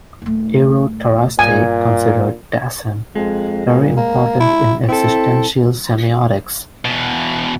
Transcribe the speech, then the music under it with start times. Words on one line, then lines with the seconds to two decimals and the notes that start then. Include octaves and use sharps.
Eero Tarasti considered "Dasein" very important in "Existential Semiotics".
0.22 D#1 A3
1.39 G2 A#2 G#5
3.15 F2 G#3
3.66 A#2
3.96 A#3
4.40 E4
4.89 C4 E4 A4
6.85 E2 B2